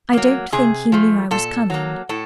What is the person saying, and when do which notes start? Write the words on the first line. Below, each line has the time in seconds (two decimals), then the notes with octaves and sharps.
"I don't think he knew I was coming."
0.13 F#3 A#3
0.52 C3 G#4
0.92 F3 A3
1.31 A#2 A4
1.70 F#3 A#3
2.09 A2 A4